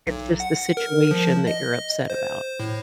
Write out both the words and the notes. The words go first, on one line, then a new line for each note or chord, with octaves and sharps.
It's just the situation that you're upset about.
B1
F#5
A#4
F3
D#5
C5
A2